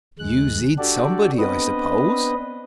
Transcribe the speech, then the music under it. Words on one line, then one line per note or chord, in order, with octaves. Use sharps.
"You zid somebody, I suppose?"
D#2 G#3 F#6
D4 F#4 G4 A4 D5
B3 C4 D4 B4 D#5